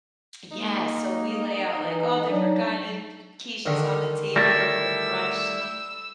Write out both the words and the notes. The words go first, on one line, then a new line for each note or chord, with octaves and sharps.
Yeah, so we lay out, like, all different kinda d quiches on the table for brunch,
A#3 D#4
E3
F#3 G3 D4 D#4
D3 D#3
G3 A3 E4 E6 A6 A#6